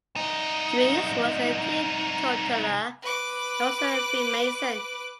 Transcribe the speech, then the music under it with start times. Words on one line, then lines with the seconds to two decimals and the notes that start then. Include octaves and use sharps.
Drees was a Teetotaler, and also a Freemason.
0.16 C2 D#4
3.02 B4 D6